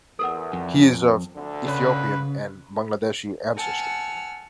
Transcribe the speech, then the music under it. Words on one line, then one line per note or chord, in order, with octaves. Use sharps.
He is of Ethiopian and Bangladeshi ancestry.
E2 A4 A#4 F#5
F2
D2 D3
C#3 B4 C#5
F#5 G#5 A5 E6 F6